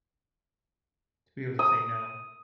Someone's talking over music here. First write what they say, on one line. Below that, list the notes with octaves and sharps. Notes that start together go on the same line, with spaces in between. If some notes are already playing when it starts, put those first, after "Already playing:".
to be able to say no,
D#6